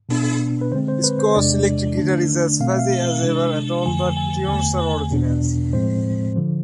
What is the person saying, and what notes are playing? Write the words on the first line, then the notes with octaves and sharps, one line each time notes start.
Sco’s electric guitar is as fuzzy as ever and all the tunes are originals.
B2 B3 D4
B4
D3 G#3 C4 C5
C5
B4
C5
E2 C3 G#3 D4 D5
D3 A3 D4
B2 A3 C4 F5
E5
F5
C3 G#3 D4
F2 D3 F3 A3 G#5
G#5
E2 D3 A3 G#5
E2 B2 B3 D4
A2 F3 G#3 C4 C5
D3 F3